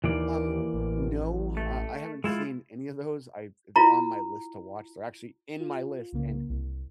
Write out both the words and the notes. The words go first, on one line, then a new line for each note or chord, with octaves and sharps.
Um, no, uh, I haven't seen any of those. I've they're on my list to watch. They're actually in my list, and
D#2 E3 A#3 D5
A1
A3
G#3 E4 F4
E4 F4 A#5
F4
C2 C#3 A#3
C2